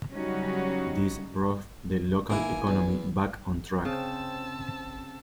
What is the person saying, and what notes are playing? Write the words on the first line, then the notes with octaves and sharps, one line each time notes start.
This brought the local economy back on track.
C#3 F#3 G3 C#4 D#4 F#4
A1 D#3 A#3 E4 G#5
E2
C#3 C4 A5 E6